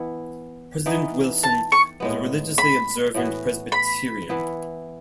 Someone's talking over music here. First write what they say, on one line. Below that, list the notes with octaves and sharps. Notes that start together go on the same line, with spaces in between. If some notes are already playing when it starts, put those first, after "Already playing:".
President Wilson was a religiously observant Presbyterian.
Already playing: E3 B3 E4
E3 B3 D#4
A5
C#6
A2 G#3 B3
B5
A2 E3 B3 F#4
B5
E3 B3 E4